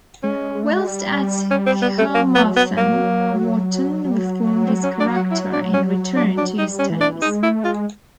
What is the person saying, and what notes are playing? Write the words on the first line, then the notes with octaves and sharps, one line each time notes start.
Whilst at Carmarthen, Wotton reformed his character and returned to his studies.
G#3 C#4
G#3
A3
G#3
G3
C#4
C4
B3
A3
G3
F#3 A#3
B3
B3
A#3
F#3
G3
F#3
C4
C#4
D4
F#4
E4
D4
C#4
D4
D4
G3 D#4
C#4
E3
D4
G#3 D#4
A3 E4
G#3 F4